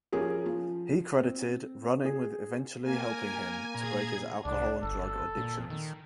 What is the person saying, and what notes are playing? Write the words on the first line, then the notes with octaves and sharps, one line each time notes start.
He credited running with eventually helping him to break his alcohol and drug addictions.
F3 C#4 G4 G#4 A#4
F3
C4
G#4
A#3 A#4 G#5
A#2 G#4 A#5 G#6
C2 D4
G1 A4
A#2
D#3